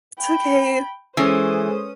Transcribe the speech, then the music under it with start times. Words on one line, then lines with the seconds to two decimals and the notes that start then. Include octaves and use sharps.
It's okay.
0.20 G5 B5
1.17 E3 G#3 C#4 G#4 A4 C5 D#6